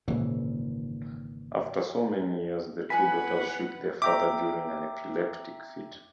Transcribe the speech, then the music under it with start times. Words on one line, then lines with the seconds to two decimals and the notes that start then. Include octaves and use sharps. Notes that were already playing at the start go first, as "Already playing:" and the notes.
After so many years the two daughters shoot their father during an epileptic fit.
0.08 G#1 A#2 C#3 E3
2.90 B4 F#5 G#5 B5
4.02 E5 G5 A#5 D6